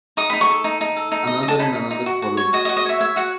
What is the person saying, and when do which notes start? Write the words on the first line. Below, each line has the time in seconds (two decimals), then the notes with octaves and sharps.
Another and another followed.
0.17 D#4 D#6
0.30 D#4 B5
0.41 C#6
0.49 A4
0.64 D#4
0.81 D#4
0.96 A4
1.12 D#4
1.27 D#5
1.43 D#5
1.48 A5
1.59 D#4 B5
1.75 D#4
1.91 D#4
2.06 F#4
2.22 F#4
2.37 C#5
2.53 F#4 D#5
2.65 D#5
2.69 F#4
2.77 D#5
2.85 C#5 E5
3.00 C#5 E5
3.16 F#4 F#5